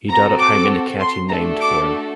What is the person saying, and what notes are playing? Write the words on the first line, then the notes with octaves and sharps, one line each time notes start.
He died at home in the county named for him.
C4 F#4 A4 A#5
D6
C6
A3 D4 F#4 A4 A#5
D6